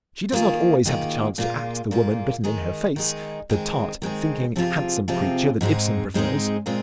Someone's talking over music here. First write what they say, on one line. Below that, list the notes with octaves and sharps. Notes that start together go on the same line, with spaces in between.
She does not always have the chance to act the woman written in her face, the tart, thinking, handsome creature that Ibsen prefers.
D#3 A#3 F4 G#4
D#3 A#3 F4 G#4
A#2 A#3 F4 G#4
A#2 A#3 F4 G#4
D#3 G#3 D#4 G#4
D#3 G#3 D#4 G#4
D#3 G#3 C4 G#4
D#3 G#3 C4 G#4
C3 F3 C4 F4 G#4
C3 F3 C4 F4 G#4
G#2 G#3 C4 D#4 G#4
G#2 G#3 C4 D#4 G#4
A#2 G#3 C4 F4 G#4